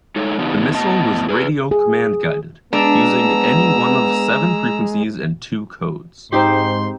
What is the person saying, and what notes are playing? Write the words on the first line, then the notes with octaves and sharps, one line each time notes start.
The missile was radio-command guided, using any one of seven frequencies and two codes.
G#3 D#4 A4 C#5
C#3 E3 B3 D4 D#4 G4
A2 B3 D#5 A5
G#4 B4
G#4
G#3 B3 D4 A#5 E6
G#2 C4 D#4 G4 C6